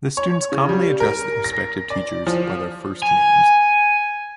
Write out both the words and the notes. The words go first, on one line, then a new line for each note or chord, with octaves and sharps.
The students commonly address their respective teachers by their first names.
C#5
C#3
G3
A#4
A#6
D5
F3
G#5